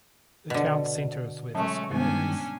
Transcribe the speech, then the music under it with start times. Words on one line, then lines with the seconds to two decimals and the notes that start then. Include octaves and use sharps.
The town centre is where The Square is.
0.50 B2 D3
1.55 F#3 G#3 A3 C#4 A5
1.91 G2 D#3 G#3 B3 C#4 D4 G#5